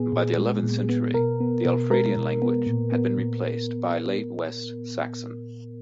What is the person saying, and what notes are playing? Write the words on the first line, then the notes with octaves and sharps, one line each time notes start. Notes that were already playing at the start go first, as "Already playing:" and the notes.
By the eleventh century, the Alfredian language had been replaced by Late West Saxon.
Already playing: A#2 B3 G#4
A#2
G#3
A#2
B3
B2 A#4
B3
B2
G#3 A#4
B2
B3
A#2
B3
A#2